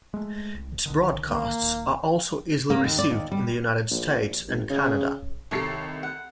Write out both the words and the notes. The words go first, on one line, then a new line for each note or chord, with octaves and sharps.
Its broadcasts are also easily received in the United States and Canada.
G#3 A3
C2
B1 D3 D#3
A#3
D#1
A#3
D#2
D5
D#2
G3
A#1
G#1
C#3
C2 D#3 G4 A4 C#5 C7
F#5